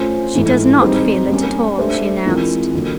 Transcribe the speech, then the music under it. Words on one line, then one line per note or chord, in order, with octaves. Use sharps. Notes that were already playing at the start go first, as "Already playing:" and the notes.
"She does not feel it at all!" she announced.
Already playing: A3 C#4 F4 A4 C5
G#2 E3 A3
G3 C4 D#4 G#4 C5
G3 A#3 C#4
A3 D4 G4 C5 E5
E3 G#3 C4 F4 A#4
F2 D3 F#3 A#3